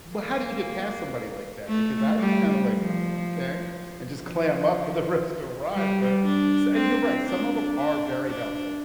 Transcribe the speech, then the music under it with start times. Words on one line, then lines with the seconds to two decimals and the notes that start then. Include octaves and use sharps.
But how do you get past somebody like that, because I just kinda like, "Oh, okay," and just clam up for the rest of the ride, but so and you're right, some of them are very helpful,
0.16 A#3
1.68 A3
2.18 G3
2.69 F3
4.21 F3
5.73 G3
6.24 D4
6.74 C4
7.25 D4
7.75 D4
8.26 D4